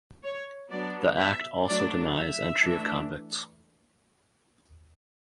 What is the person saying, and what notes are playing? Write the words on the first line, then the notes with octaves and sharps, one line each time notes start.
The act also denies entry of convicts.
C#5
F#3 B3 D4 D5
E5
F#3 A3 D4 D5
E5
E3 A3 D4